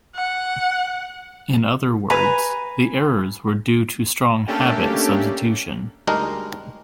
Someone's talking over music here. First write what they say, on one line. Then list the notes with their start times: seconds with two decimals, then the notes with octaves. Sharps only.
In other words, the errors were due to strong habit substitution.
0.15 F#5
2.10 B4 G#5 A#5
4.47 A3 A#3 C#4 D4 G4 A4
6.07 D2 G3 G#3 D4 D#4 A#4